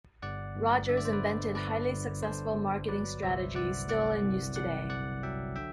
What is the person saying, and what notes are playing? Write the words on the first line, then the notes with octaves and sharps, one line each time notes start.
Rogers invented highly successful marketing strategies still in use today.
G1 D5 F#5
G1
D3 E5
D5
C5
B4 D5
D3
G1 B4 D5
G1
G2 A4 C5
G1
F#3 B4 D5
C2 C5 E5
C2 D5 F#5
C2 D5 F#5
C2
C2 D5 F#5
C2 D5 F#5
F#3 E5 G5
D3 E5 G5